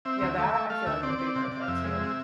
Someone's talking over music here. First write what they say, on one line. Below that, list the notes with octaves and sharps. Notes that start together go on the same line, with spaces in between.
Yeah, that, I feel like would be worth it, too.
C4 E5
D2
A3
A3
A3 F5
D2 E5
C4 D5
C4
C3
C3
F5
F2 E5
G#3
C3